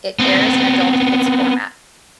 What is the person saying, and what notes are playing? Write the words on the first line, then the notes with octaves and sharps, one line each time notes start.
It airs an adult hits format.
B3 C4